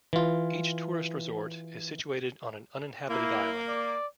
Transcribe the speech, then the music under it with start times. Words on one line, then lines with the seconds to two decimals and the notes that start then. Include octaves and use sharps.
Each tourist resort is situated on an uninhabited island.
0.13 E3 F4
3.09 A#3 E4
3.68 D5